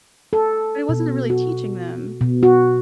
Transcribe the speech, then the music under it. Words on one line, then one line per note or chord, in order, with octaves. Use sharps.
But it wasn't a really teaching them.
A4
B2
F#4
B2
F#4